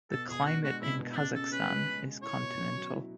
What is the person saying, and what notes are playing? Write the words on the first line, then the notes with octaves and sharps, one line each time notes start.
The Climate in Kazakhstan is continental.
B2 A4
B2 G#4
D4 F#4
G#3 F#4
B2 E4
B2
E4
C#3 D4
C#3 A4
C#4 B4
G#3
C#3
C#3
E4 C#5
B2
C#4
F#3
E4